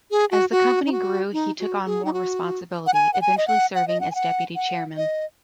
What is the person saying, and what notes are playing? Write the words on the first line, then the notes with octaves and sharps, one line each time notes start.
As the company grew he took on more responsibility, eventually serving as deputy chairman.
G#4
F#4
F#4
D#4
F#4
D#4
F#4
G#4
D#4
F#4
F#5
G#5
F#5
G#5
D#5
F#5
F#5
D#5
F#5
G#5
F#5
F#5
D#5